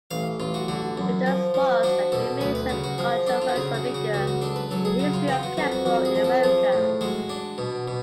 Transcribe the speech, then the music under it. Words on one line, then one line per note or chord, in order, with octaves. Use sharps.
Mitose was and remains a controversial figure in the history of Kenpo in America.
A1 F5
A1 F4
F#4
D3 F#4
F#2
F3
F3
D4 F#4
B2 A4
D2 B4
B4
C#3 F#4
F#4
F3 G#4
D4 A4
F4
F#4
C#3 G#4
F#4
C#3
F#4
C#2 F#4
F#4
D4 A4
B4
F#3 A4
G#4
C#3 F#4
F4
B3 F4
F#4
F2 F#4
F#4
F2 F#4
G#4
F3
A4
F3 G#4
A2
G#3 F#4
D4
B2
B2